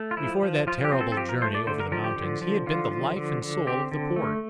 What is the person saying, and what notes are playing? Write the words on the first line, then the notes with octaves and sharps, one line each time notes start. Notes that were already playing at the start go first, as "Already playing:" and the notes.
Before that terrible journey over the mountains he had been the life and soul of the Port.
Already playing: A3
F4
F3 E4
F3
F3 F4
G4
C4
A4
A4
F3 G4
A#4
A3 C5
D5
D3 C5
A#4
F3 A#4
G4
D3
F3
D3 F4
F3
D3
D3
C4 G4
D3
A3